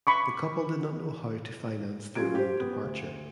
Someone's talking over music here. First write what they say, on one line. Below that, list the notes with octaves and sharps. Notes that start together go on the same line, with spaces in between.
The couple did not know how to finance their own departure.
B5 C#6 D6
F#3 C#4 F4 G4 G#6 D7
G4 C5
B3
D2